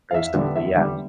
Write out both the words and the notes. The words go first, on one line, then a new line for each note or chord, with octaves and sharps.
very simply yeah.
F5
E2 E5
D3 G3 B3
E2 E5
D3 G3 B3